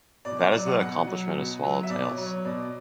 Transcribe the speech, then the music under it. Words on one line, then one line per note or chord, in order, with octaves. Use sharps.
That is the accomplishment of "Swallow Tales".
B2 D5
D5
F#3 D5
F#5
B2 F#5
F#3
B2
F#3
E5
B2 D5
C#5
F#3
C#5
B2 D5